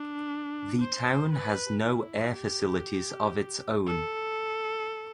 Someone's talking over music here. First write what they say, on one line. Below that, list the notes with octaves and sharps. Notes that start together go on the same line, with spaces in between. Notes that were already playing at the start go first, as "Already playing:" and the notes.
The town has no air facilities of its own.
Already playing: D4
C5
B4
E4
G4
A4